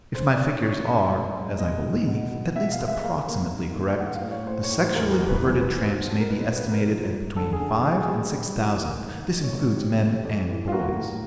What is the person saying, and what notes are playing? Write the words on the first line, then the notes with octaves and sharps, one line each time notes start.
If my figures are, as I believe, at least approximately correct, the sexually perverted tramps may be estimated at between five and six thousand; this includes men and boys.
C#3 C5
D5
C#3
C#5
C#3 C#5
C#3
G#3
G#3
B2 D#5
G#3
B2
B2
B2 E5
F5
G#3
E5
A#3 F5
A#3
D#3
A#3
A2 F#5
F5
A2
C#5
A2 C5
C#5
A2
C5
E2 A#4
A#4
E2
B4
E2 C5
B4
E2
C5
F#3
A4
B2 A#4
B4
B2 C5
B4
B2
A#4
F3
G2
D3 A4
G#4
D3
A4
E3 G#4
G3
G3
E3
A#3
D#3
D#3
C#5
G#2
C#5
C3 G4
F2
F2
E3
F4
A#3 F#4
A2